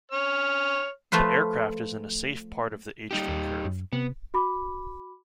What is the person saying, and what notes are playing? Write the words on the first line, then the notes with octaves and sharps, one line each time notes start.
The aircraft is in a safe part of the H-V curve.
C#5 F6
F3 A3 F4 B4 F5
G3 D#4 G4
D#2
F#2
C3 B3
F#4 B5 D6